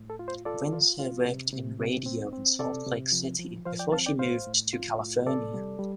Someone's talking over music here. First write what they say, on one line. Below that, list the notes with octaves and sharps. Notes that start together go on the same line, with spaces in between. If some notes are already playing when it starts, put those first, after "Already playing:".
Windsor worked in radio in Salt Lake City before she moved to California.
Already playing: A2
A4
F4
C5
F4 A4 D5
F4
F4
C3
C3
C3
C4
C4
C3 A4 D5
C3
F3
F3
F3 C5 F5
D5 G5
C4 F5 A5
D5 G5
A2 C5 F5
A2
F4
A2
C3 A4 D5
G3
G3